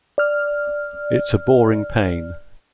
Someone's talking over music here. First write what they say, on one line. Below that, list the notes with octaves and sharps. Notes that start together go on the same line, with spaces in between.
It's a boring pain.
D5 F6